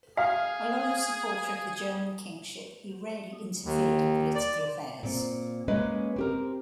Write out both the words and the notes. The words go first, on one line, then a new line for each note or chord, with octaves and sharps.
A loyal supporter of the German kingship, he rarely interfered in political affairs.
G#4 F5
D#2
D5
A#2 C4
G#3 A#3 C#4 B4 D#5
C4 G4 A#4